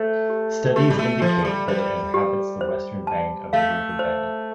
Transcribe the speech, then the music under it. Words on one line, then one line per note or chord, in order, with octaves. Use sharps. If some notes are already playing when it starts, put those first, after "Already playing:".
Studies indicate that it inhabits the western bank of the river Beni.
Already playing: A3 C5
G4
A3 G4
G3
A3
F3 A5
G3
G3 C5
G4
C5
A5
A3 F5
C5